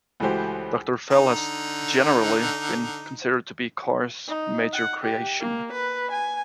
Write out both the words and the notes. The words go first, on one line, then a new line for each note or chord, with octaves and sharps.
Doctor Fell has generally been considered to be Carr's major creation.
C#2 E3 A3 F#4 G4 C5
D3 D#4
D#4
F#5
G4
A#3
B4
G#5